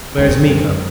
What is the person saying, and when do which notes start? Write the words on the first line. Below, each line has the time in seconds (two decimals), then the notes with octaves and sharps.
"Where is Miko?"
0.18 E2 D#3 G#3 C4
0.28 F2
0.38 F#2
0.48 D#3 G#3 C4